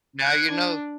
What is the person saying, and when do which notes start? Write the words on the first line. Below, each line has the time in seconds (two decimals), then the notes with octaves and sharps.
Now you know.
0.22 F#6 G#6
0.51 D4